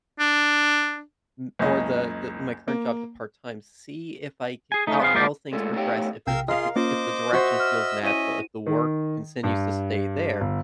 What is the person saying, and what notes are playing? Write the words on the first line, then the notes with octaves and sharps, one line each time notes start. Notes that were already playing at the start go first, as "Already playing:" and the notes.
n or the the, in my current job to part-time, see if I ca how how things progress, if it if it's if the direction feels natural, if the work continues to stay there.
D4
F#1 C#2 D#5
A#3
G#4 G#5
A3 D#4
B3 C4 G#4 F5
G#3 A#3 F4 G4 C5 D5
A#2 G#3 A3 F4
A3 D#4 G4 C#5 F5 G5
B1 C3 A#4 F5 G5 E6
F4 G#4 A#4 D#5 F5 C6
A#3 C#4 F4 C5 D#5 D6
F#4 C5 D#5 E5 E6
F6
C#4 E4 D#5 E5 D#7
D#3
G2
G1